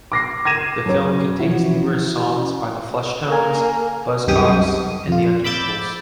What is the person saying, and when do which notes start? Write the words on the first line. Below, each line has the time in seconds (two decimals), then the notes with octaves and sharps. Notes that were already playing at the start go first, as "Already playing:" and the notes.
The film contains numerous songs by The Fleshtones, Buzzcocks and The Untouchables.
0.12 D6 A#6 C7
0.45 G#6 A#6 D#7 E7
0.86 F#2 C#4
1.39 E3 F3 C#4 E4 F#4
3.28 A#3 A4 A#4 G#5
4.27 C2 F#2 D#3 G4 G#4 D#6
4.53 D#6
5.08 F2 F4
5.44 B5 D6 E6 G6 A6